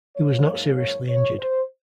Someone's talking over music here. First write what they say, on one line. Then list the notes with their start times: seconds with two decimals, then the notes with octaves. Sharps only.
He was not seriously injured.
0.16 G#2 F#3 A#3 C#5
0.77 C#5
1.08 C#5
1.38 C5